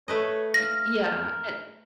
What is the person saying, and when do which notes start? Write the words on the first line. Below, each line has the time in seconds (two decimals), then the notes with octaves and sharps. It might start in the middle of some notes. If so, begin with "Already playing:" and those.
It yeah, and
0.08 A3 B4 C#5 D#5
0.54 F5 A#6
0.98 A#4